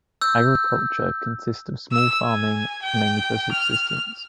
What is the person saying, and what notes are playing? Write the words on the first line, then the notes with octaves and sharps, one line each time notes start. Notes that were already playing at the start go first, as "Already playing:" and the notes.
Agriculture consists of small farming, mainly for subsistence.
E6 G6
E6
G#5
G5
F6